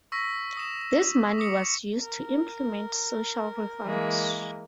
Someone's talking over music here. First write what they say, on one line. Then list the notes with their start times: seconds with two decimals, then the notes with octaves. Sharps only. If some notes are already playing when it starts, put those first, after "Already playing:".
This money was used to implement social reforms.
0.12 C#6 E6 A#6 B6
0.57 D#6 E7
1.38 D6 D#6 C#7
2.00 A#4
3.85 E3 G#3 A#3